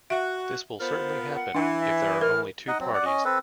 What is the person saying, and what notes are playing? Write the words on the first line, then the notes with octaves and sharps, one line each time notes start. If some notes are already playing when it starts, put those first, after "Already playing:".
This will certainly happen if there are only two parties.
F#4 E5
B3 F4 A#4 C5
F#5
E3 D4
E5
A#4 F6
D#4 D#5 F#5
F#3 C4
D5 F#5
C#4 D#5
C4 A4 B4